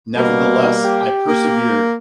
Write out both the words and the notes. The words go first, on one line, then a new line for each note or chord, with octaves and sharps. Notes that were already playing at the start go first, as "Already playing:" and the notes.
Nevertheless, I persevered.
B2 G3 A#3
G4
A#3